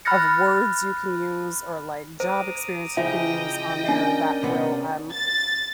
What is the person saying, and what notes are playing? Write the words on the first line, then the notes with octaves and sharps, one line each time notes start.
of words you can use or, like, job experience you can use on there that will, um,
B5 F6 F#6 A6 A#6 C#7
C5 A#5 D6 D#6
C#3 F3 E4 D#5 E5 G5
C#4 D4 A#4 D5
C3 B3
A6